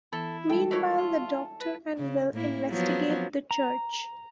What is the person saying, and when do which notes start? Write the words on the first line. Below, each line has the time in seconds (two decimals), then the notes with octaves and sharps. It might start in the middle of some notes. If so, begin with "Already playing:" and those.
Meanwhile, the Doctor and Will investigate the church.
0.13 E3 B3 E4 A4
0.50 G3 G#3 D#4 A4 G5
0.71 D#3 E4 F#4 C#5
0.98 F4
1.61 B4
1.98 C#3
2.34 A2 A#3 E4
2.69 F3 F#3 B3
3.51 A#5